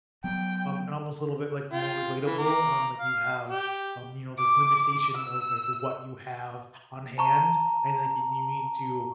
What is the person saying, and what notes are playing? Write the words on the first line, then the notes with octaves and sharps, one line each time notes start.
um, and almost a little bit like more relatable on, like, you have, um, you know, this limitation of, like, what you have on hand, and, like, and you need to
F#3 B3 G5
F4 G5
E3
A#5 D6
F5
G4
D6
E6
A5 A#5 C#6